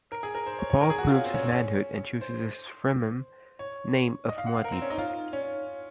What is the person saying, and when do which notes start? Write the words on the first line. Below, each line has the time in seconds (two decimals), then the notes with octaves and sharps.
Paul proves his manhood and chooses his Fremen name of Muad'Dib.
0.12 A#4
0.23 G#4
0.35 A#4
0.46 C5
0.59 C#5
0.70 C#5
0.81 A#4
0.90 G#4
0.98 F#4
1.08 F4
1.16 C#4
1.25 C4
1.34 C#4
1.42 C4
1.52 C#4
2.21 C5
3.59 C#5
4.29 D#5
4.38 F5
4.46 F#5
4.55 F5
4.64 A#4
4.72 C4
4.82 C#4
4.90 D#4
4.99 F4
5.33 C#4